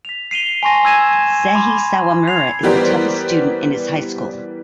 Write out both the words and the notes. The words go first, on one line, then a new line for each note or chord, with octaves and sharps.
Seiji Sawamura is the toughest student in his high school.
B6 F7
C7 D#7 F7 G7
G#5 A5 C6 C#6 A#6 D#7
E6 G#6 D#7 E7
B5 C6 D6
G#6 C7 F7
E3 G3 B3 G4 A#4 C5